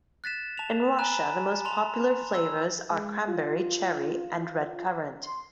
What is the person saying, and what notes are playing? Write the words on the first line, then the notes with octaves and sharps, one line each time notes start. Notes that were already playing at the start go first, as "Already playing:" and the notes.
In Russia, the most popular flavours are cranberry, cherry, and redcurrant.
F#6 A6 B6 E7
A5 F7
G#5 A#5 B5 F#6 E7
A5 C6 F7
E6
G#3
F4
C6